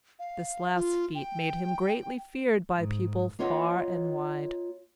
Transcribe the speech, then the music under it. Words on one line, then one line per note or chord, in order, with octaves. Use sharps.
This last feat made him greatly feared by people far and wide.
F5
F4
G5
G#2
A#3 F4 C#5 D#5 F5 F#5